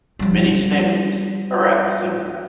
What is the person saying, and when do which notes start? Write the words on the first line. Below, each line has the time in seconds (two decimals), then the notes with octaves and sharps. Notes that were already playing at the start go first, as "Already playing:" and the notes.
Many stamens are at the center.
0.19 F3 G3